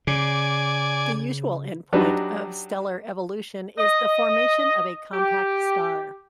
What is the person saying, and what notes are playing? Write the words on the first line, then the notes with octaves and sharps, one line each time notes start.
The usual endpoint of stellar evolution is the formation of a compact star.
C#3 D5 G#5
F#3 G3 D4 D#4 B4
D#5
G4